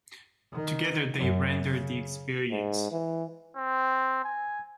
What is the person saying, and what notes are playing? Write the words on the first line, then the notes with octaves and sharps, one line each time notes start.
Together they render the experience.
D#3
F#2
C#3
G#2
E3
C4
G#5